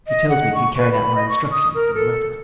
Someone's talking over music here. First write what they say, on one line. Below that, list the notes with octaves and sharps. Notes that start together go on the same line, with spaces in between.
He tells me he carried out my instructions to the letter.
D#5
F#5
C#6
B4
B5
D#5
C#6
D#6
A#4
A4